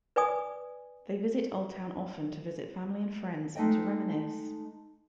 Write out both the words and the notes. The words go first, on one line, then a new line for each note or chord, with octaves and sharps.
They visit Oldtown often to visit family and friends and to reminisce.
B4 D5 G#5 D#6
G#3 A3 D#4 D#5 G5